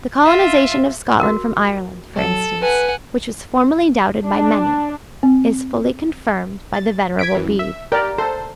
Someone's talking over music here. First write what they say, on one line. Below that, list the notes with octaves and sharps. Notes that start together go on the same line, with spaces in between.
The colonisation of Scotland from Ireland, for instance, which was formerly doubted by many, is fully confirmed by the Venerable Bede.
F4 E5
F#4 A#4
F#3 A4
B4 F#5 G#5
D4
C4
A6
G#6 B6 D7
F#2 E3
E5
G4 A#4 D5
A4 C5